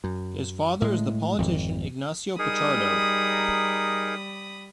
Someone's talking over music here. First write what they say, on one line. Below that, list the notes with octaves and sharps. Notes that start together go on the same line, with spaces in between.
His father is the politician Ignacio Pichardo.
F#2
A2 G#3
G#1 F2
G3 D#4 G#4 A#4 B5 D#6